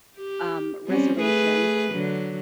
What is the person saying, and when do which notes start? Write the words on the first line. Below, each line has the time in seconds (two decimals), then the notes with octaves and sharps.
um, reservation,
0.17 G4
0.87 G3 C4 C#4
1.18 A3 G#4 B4
1.92 D3 F#3